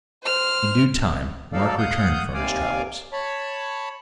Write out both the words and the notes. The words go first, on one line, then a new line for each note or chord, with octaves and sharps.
In due time, Mark returned from his travels.
C5 F6
F#3 D#4 A4 D5 F5
F5 F#5 D#6 G6
D#2 C3 D5 F5 G#5 D6
C#5 A5 B5